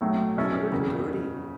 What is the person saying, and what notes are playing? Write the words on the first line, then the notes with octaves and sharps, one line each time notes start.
"A hundred and thirty."
B1 A2 F#3 A3
B2 F#3 C#4 E4 A4
F#1 E2 C#3